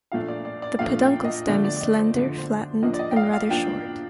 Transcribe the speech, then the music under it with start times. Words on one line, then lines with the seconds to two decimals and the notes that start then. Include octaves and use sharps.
The peduncle stem is slender, flattened and rather short.
0.12 A#2 F3 A3 D4 F5
0.28 D5
0.45 D5
0.62 D5
0.79 A#2 F3 A3 D4 F5
1.02 G5
1.25 D#5
1.47 D3 F3 A3 D4 D5
1.65 D5
1.77 D5
1.81 D#5
1.99 C5
2.15 D3 F3 A3 D4
2.38 C5
2.83 F3 A#3 D4 D#5
2.94 D5
2.99 D#5
3.11 G5
3.16 F5
3.33 F5
3.50 F3 A#3 D4 G5